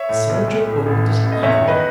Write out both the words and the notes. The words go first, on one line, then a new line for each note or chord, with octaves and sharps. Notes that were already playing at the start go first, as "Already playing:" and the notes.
The soldier opened it eagerly.
Already playing: C#5 E5
A2
B1
B1
A2
A1
A2
A1
D#5
E2 C#5 E5
D#3
B4 D#5